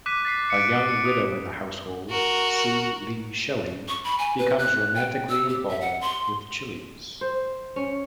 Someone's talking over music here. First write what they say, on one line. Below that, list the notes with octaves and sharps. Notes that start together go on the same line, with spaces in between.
A young widow in the household, Sue Lee Shelley, becomes romantically involved with Chiles.
D6 F#6 B6 D#7
A6 B6 C7
C#7 D7
D6 D7
C#7
D#6
F#4 A#4
C#6
B5
G#5
B4
F#6
G5
E6
G4
E5
F#5
C6
C5
C#4